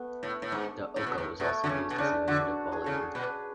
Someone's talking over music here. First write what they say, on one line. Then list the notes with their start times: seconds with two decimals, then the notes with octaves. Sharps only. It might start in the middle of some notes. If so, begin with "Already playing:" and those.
The oka was also used as a unit of volume.
Already playing: A3 B3
0.23 A2
0.42 A2
0.52 G#2
0.96 A2
1.07 B2
1.18 A2
1.40 B2 A3
1.64 D3
1.69 C#3 C#4
1.90 B2
1.98 C#3 D4
2.28 D3 F#4
2.72 G#4
2.84 C#3 A4
2.97 G#4
3.15 B2 B4